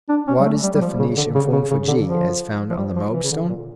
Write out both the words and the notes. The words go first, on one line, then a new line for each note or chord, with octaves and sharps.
What is the Phoenician form for g as found on the Moab stone?
D4
C#4
G3
A3
G3
G3
F3
C#3
D3
C#3
C#3
C#3
D3
F3
F3
G3
F3
E3
C#3
D3
A#2